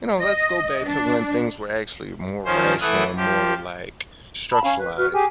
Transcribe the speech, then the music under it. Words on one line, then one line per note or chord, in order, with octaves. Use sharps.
You know, let's go back to when things were actually more rational and more, like, structuralized
D#5
D4
D#3 F3 C#4 C5
E3 A3 E4 F#5 D#6
F3 G4
A5 B5
C#4 F5
B4
F#4 B4 F6
G4 G#4 G#5